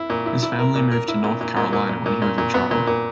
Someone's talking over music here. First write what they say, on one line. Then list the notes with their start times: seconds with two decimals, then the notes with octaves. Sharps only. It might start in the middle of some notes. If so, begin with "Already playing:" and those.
His family moved to North Carolina when he was a child.
Already playing: E4
0.10 A#2
0.26 E4
0.43 E4
0.59 A#4
0.75 A#2
0.91 A#4
1.08 E4
1.24 A#2
1.41 A#2
1.57 A#2
1.73 A#2
1.89 A#2
2.06 A#2
2.22 A#2
2.38 A#2
2.54 B3
2.71 A#2
2.87 A#2